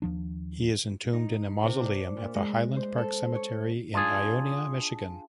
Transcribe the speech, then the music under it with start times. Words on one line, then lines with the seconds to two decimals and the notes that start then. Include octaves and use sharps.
He is entombed in a mausoleum at the Highland Park Cemetery in Ionia, Michigan.
0.02 D#2 F3 D4
1.13 D#4
1.63 C3
1.80 D4
2.17 A#2
2.35 G#3
2.76 C5
2.98 A4
3.35 C#5
3.94 D4 F4 G#4